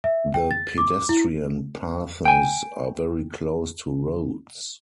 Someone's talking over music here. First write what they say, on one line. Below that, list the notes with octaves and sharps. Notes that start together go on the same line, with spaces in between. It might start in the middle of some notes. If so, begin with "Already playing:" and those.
The pedestrian paths are very close to roads.
E5
G5
A6
D6
E4
G5 G#5